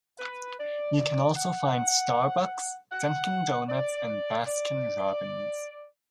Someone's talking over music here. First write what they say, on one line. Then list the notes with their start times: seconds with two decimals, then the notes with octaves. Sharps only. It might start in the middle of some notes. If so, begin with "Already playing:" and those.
You can also find Starbucks, Dunkin' Donuts, and Baskin Robbins.
0.19 B4
0.59 D5
1.36 F#5
2.92 F#5
3.69 D5
4.47 D5